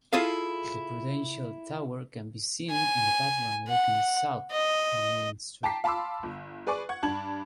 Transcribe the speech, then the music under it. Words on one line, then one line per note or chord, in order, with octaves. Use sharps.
The Prudential Tower can be seen in the background looking south from Main Street.
E4 F4 G#4 A4 F5
G#5
F#5
D#5
G5 A5 A#5 D6 B6 C7
F5 A5 B5 C6 D6 E6
G1
G#4 B4 D5 G#5 C#6 D6
F#5 C#6 G#6
G2 D4 A5 G#6 F#7